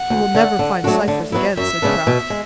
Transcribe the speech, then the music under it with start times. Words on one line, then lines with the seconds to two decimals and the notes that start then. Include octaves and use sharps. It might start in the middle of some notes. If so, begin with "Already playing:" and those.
"He will never find Cypher's again," said Kraft.
Already playing: F#5
0.10 D2
0.34 D3 A3
0.59 D3
0.84 F#3 A3 D4 F#4
1.08 D3
1.32 F#3 B3 E4
1.57 F#2 E5
1.82 C#3 G#3 B3 D4
2.07 B2
2.30 G#3